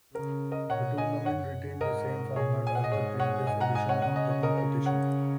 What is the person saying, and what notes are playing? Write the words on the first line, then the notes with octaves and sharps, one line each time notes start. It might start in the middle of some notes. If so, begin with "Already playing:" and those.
The tournament retained the same format as the previous edition of the competition.
C#3 A#4
A#4 D#5
A#2 C#5 F#5
D#5 G#5
F#2 C#5 F#5
G#2 A#4 D#5
A#2 G#4 C#5
G#5
F#5
D#5
G#2 G#4 C#5
C#5 F#5
G#2 D#5 G#5
F#5 A#5
D#5 G#5
C#5 F#5
C#3 F#5
D#5
C#5
A#4 D#5
A#4
C#5 F#5